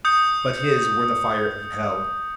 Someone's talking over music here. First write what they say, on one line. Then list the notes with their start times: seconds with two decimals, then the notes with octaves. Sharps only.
But his were the fire of hell.
0.05 D#6 G6 C#7